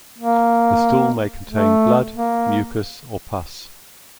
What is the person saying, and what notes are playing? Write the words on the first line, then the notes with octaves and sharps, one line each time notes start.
The stool may contain blood, mucus, or pus.
A#3
A3
A#3